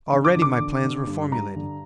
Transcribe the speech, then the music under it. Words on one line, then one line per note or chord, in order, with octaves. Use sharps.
Already my plans were formulated.
D3
D6
D3
D6
D3
D3
G2
G2 A#5
D3